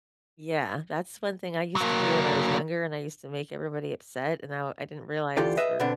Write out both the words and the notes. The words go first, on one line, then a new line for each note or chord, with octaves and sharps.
Yeah. That's one thing I used to do when I was younger, and I used to make everybody upset, and now I didn't realize or
F#3 A#3
D2 E3 F4 G4 A4 D5
G#4 B4 D#5 E5
B2 D3 B3 C4 D4